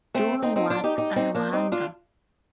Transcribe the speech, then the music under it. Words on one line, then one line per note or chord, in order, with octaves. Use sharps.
Doing what, I wonder.
A3 C4
C4 D#4
C4 D#4
D4 F4
D#4 G4
D#4 G4
C4 D#4
A#3 D4
C4 D#4
D4 F4